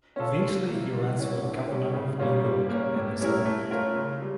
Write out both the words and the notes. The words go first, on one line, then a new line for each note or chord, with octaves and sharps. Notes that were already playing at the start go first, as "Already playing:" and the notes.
Eventually he runs for governor of New York and is elected.
C#4 F4 A4
G3
A#3 E4
G3
C#4 E4
D3
G3 C#4
C#3
G3 A#3 C#4 F4
G3
A#3 C#4
A2
G3 C#4 E4 A#4
A3
C#4 F4 A#4 C#5
C#3
G3